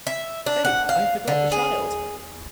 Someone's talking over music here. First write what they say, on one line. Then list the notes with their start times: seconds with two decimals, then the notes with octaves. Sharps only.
Faith, I forgot the child!
0.07 E5
0.46 D4
0.65 F#5
0.89 F5
1.28 D3
1.52 G#4